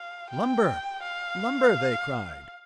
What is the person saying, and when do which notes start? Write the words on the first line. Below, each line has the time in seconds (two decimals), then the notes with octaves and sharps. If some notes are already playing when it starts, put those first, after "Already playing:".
"Lumber! lumber!" they cried.
Already playing: F5
0.30 G5
1.03 F5